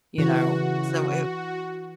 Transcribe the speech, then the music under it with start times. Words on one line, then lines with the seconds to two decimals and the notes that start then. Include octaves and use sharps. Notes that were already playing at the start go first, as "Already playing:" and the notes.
you know? So, it
0.18 C#3 E3 F#4